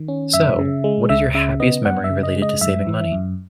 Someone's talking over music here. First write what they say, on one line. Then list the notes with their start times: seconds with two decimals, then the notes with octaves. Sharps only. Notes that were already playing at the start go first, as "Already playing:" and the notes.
So, what is your happiest memory related to saving money?
Already playing: D#3
0.08 C#4
0.33 F#2 E5
0.59 C#3
0.84 G#3
1.09 C#2 E5
1.34 C#3 E5
1.60 B3 D#5
1.85 F#2 F#5
2.04 E5
2.10 C#3
2.23 D#5
2.36 G#3
2.42 D#5
2.61 F#2 E5
2.87 E3
3.12 F#2